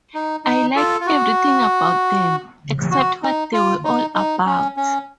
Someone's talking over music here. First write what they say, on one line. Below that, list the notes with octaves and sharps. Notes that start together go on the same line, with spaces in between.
I like everything about them, except what they were all about.
D#4
D#4
F4 A4
F4
F#4
F#4
D#4
F4
D#4
D#4
C#4
C#4